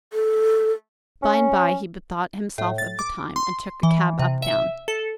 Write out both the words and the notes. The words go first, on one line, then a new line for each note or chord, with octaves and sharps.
By and bye he bethought himself of the time, and took a cab uptown.
A4
C#4
A2
A6
D6
C6
E3
C3
E5
A4